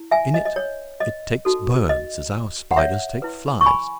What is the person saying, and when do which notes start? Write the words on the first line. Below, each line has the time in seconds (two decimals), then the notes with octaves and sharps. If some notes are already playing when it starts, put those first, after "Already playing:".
In it it takes birds as our spiders take flies.
Already playing: E4
0.11 E5 G#5
0.34 D#5
0.46 D#5
0.56 C#5
1.00 D#5
1.45 D#4 F#4 A4
1.89 D#5
2.71 F#5
2.77 C#5 E5
3.22 E4 B4
3.61 C#6
3.66 G#5 B5